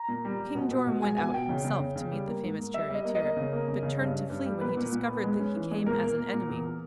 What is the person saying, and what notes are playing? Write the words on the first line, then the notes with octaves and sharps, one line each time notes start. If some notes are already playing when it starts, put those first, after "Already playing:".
King Joram went out himself to meet the famous charioteer, but turned to flee when he discovered that he came as an enemy.
Already playing: A#5
A#2
G3
G3
B2
B2
B2
G#3 G#5
B2 G#5
B2 G5
C#3
C#3
C#3
C#3
G3
A#3
G#2
A#3
G3 E5
G3
D#5
A#3
D#5
A#3
C#3
A#3
C#3
C#3
G2
C#4
G2
G3
A#2 B4
A#2
A#2
B3
G#3
C#4
E3
G#3
A#2 A#4
A#3
A#3
A#2
E2
A#3